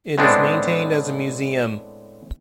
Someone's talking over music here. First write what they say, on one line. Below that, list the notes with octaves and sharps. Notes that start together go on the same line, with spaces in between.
It is maintained as a museum.
A2 G#3 B3 C4 D4